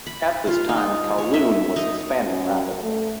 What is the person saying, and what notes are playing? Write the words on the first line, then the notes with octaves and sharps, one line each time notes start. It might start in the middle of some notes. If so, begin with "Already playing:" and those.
At this time Kowloon was expanding rapidly.
B5
F4
D#4
C#5
E5
D#4
F#2
A3